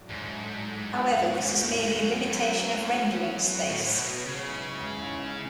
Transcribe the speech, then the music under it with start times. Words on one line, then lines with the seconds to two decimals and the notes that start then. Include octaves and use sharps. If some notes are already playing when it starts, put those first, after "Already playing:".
However, this is merely a limitation of rendering space.
Already playing: A2 F#3 A3 D4
0.09 G#2
0.84 E2 D3 G#3 C#4 F#4
1.41 G#2
1.60 A2
1.79 G#2
1.98 F#2 F#3 A3 E4
2.27 F#2
3.11 F#3 B3 F#4 B4
3.69 A2
3.91 A2
3.97 B2
4.25 G#2 C#3 G#3 C#4 E4